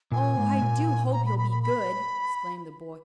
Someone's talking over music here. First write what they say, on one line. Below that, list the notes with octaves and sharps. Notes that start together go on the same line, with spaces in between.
"Oh, I do hope he'll be good!" exclaimed the boy.
A#2 G#5
G#2
A#2
A#5
B5
B5
B5
B5